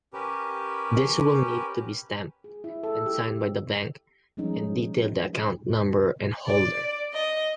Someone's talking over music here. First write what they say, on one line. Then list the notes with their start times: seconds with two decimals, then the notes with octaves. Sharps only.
This will need to be stamped and signed by the bank, and detail the account number and holder.
0.13 C#4 G4 A#4 B4
2.44 G#4
2.64 E4
2.83 A4
3.06 G4
4.37 F3 G3 G#3 C#4 D#4
6.46 D5
7.13 D#5